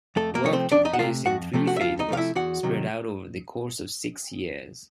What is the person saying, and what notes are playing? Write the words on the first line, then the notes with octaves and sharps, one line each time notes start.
Work took place in three phases spread out over the course of six years.
F2 A3 A4
A#3 A#4
C3 F3 A3 C#5
C4 C5
F2 D4 D5
D#4 D#5
F#5
C3 F3 A3 F4 F5
F2 F#4 F#5
C3 F3 A3
F#4 F#5
E5
F2 F4 F5
D#4 D#5
C3 F3 A3 F5
E4 E5
E2 F#4 F#5
C3 D#3 F#3